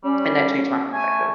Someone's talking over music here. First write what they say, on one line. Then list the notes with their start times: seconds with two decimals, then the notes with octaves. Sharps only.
and that changed my perspective.
0.04 G3 C#4
0.92 A3 G#5